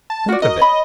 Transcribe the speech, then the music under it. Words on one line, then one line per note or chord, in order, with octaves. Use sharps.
Think of it!
A5
F4 F#4 D5
F#4 A#4 D#5
C#5 B5